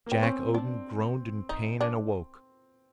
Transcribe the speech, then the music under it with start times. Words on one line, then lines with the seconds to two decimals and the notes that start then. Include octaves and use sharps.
Jack Odin groaned in pain and awoke.
0.06 A#3
0.12 B3 C4
0.22 C4 C#4
0.54 D4
1.49 D#4
1.81 D4